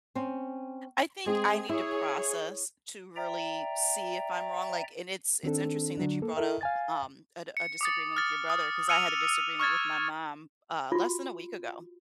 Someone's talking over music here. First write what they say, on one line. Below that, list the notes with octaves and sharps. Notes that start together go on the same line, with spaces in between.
I think I need to process to really see if I'm wrong, like and it's it's interesting that you brought up, um, a d a disagreement with your brother, 'cause I had a disagreement with my mom, uh, less than a week ago.
C4 C#4
G#3 C4 G#4
E4 G#4 C#5
D5 E5 G5 A#5
D#3 C4 D4 A4
D3 F#3 D4
A#3 A4
E4 A4 A#4 E5
F5 G#5 A6
C#7
D6 D#6 A6
F6 A6
D#6
E6 F6 C#7 D#7 F7
C#6 F6 G#6 A6
F4 F#4